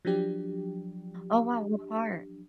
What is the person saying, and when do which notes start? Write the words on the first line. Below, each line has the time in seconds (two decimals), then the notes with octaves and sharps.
Oh wow, what part?
0.05 F3 F#3 D4 G4